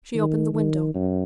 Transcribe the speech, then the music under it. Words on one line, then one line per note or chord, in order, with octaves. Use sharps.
She opened the window.
D#3
D#3
F#2